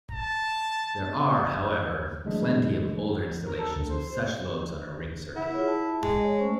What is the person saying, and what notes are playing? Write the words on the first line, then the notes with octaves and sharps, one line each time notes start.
There are however plenty of older installations with such loads on a ring circuit.
A5
D3 E3 F#3 G#3 A3 D4
A#4
A4
D2
C5
E4 F#5
F4 G#4 C#5
A5
G#3
C#5 D#5
A3 C#4 C5